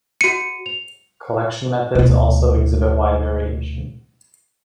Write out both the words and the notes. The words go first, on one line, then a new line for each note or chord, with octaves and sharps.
Collection methods also exhibit wide variation.
F#4 C#7 D#7
F7
D2 B2